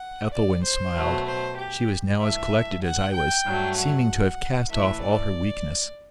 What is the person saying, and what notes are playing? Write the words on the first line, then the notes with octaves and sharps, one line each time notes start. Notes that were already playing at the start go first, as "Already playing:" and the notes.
Ethelwyn smiled.--She was now as collected as I was, seeming to have cast off all her weakness.
Already playing: F#5
D5
C5
B2 F#3 A3
C5
G4
G2 E3 A3 E5
F#5
G5
G2 F#3 A3
F#5
A2 E3 A3 E5
D5